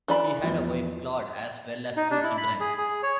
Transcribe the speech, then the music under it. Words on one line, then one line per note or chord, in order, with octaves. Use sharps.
He had a wife, Claude, as well as two children.
E3 D5 B5
E2 F3
D#4
D4
E4
B5
G#4
G#4
C#5